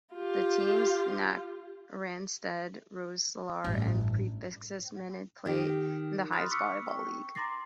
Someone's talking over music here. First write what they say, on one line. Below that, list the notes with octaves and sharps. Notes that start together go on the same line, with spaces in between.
The teams Knack Randstad Roeselare and Prefaxis Menen play in the highest volleyball league.
F4 G4
A1 G2
D#3 G4
B5 C6 D#6 F6 F#6 A6
C#6 D6 E6 F6 B6 C#7
G5 C#6
A#5 C6 D6 A6 A#6 C7